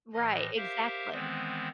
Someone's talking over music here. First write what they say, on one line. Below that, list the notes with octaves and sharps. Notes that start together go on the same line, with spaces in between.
Right, exactly.
A2 E3 D#5
G4 A#4 C5 E5 F5
D#3 E3 G#3 B3 C4 C5